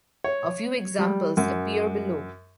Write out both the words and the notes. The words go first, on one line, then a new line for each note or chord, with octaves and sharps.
A few examples appear below.
C#5
G3
F#2